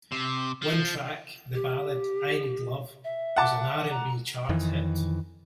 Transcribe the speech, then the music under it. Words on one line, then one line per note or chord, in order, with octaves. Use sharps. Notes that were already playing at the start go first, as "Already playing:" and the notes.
One track, the ballad "I Need Love" was an R and B chart hit.
C3
F3
G4
E5
F#5 A5 D6
A#5
F2 D#3 E3